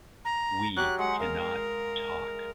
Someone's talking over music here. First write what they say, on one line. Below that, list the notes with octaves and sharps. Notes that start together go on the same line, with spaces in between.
We cannot talk.
A#5
F#3 G4 F#6
G#3 F#5
A#4 F5